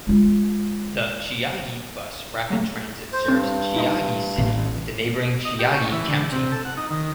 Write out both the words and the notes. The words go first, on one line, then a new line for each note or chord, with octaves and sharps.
The Chiayi Bus Rapid Transit serves Chiayi City with the neighboring Chiayi County.
G#3 F4
F#3 A3
C5
G2 C4
D#4 D#5 B5
A1 E3 A#3
D#5
G4
C#6
E3
D3
C3
A4
F#5
D#4
D#3